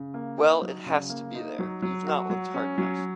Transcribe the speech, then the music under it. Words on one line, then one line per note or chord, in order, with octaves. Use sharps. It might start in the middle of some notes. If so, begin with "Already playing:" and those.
Well, it has to be there. You've not looked hard enough.
Already playing: C#3
A#3
D#4
F#3
C#3
A#3
D#4
F#3
F#3
F#4
F#3
C#4
F#3